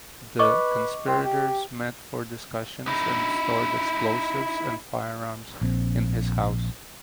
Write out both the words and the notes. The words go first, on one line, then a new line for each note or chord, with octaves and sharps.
The conspirators met for discussions and stored explosives and firearms in his house.
B4 D#5 C#6 D6
C4
G4
D#4 E4
A#1 C4